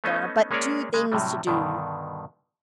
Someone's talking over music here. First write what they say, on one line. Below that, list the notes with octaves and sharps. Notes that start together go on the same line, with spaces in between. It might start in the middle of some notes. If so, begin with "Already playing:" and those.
There are but two things to do.
A3 B3 C#4 D#4 C5 D#5
G#3 A#3 C#4 G#4 C#5 D5
C#3 G#3
A2 C3 F#3 G3
G2 B2 D3 D#3